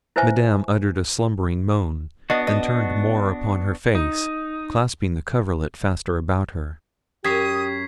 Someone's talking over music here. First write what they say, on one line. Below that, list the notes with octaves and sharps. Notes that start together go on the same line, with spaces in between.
Madame uttered a slumbering moan, and turned more upon her face, clasping the coverlet faster about her.
E4 B4 C5 E5 G#5
B3 D4 F#4 D#5
D#5
D#4
F#2 G4 D#6 G#6 B6 C7